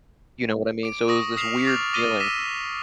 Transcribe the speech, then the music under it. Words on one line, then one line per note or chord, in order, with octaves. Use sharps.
you know what I mean? So, it was this weird feeling,
D6 D7
C#6 D#6 A#6
D#6 F6 B6 C7 E7 F7
D6 F6 A6 F7
D6 A#6 D#7 G7
D6 E6 A#6 B6 D#7 E7